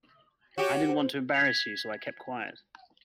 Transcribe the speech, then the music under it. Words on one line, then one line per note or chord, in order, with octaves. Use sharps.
I didn't want to embarrass you so I kept quiet.
F#4 G4 C#5
C5
G#6 B6 F7